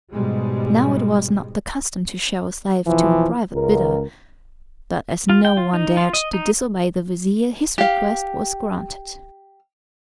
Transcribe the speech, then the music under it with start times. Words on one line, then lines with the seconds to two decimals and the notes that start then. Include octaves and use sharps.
Now it was not the custom to show a slave to a private bidder, but as no one dared to disobey the vizir his request was granted.
0.12 G#2 B2 G3 G#3
2.87 B1 E3 F3
3.54 C#2 A#4
5.29 F4
5.45 G5
5.57 F4
5.74 D#4
5.97 F4
6.13 D#5
6.33 D#4
7.78 G4 F5